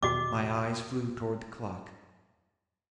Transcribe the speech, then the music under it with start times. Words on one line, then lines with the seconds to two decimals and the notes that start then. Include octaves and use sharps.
My eyes flew toward the clock.
0.03 E2 B2 D#3 F#4 D#5 D6